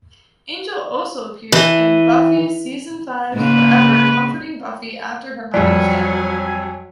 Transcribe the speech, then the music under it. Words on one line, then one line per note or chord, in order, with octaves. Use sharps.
Angel also appears in "Buffy" season five's "Forever", comforting Buffy after her mother's death.
E3
G#2 C#3 A#3 B4
F2 F#3 G3 D5 G#5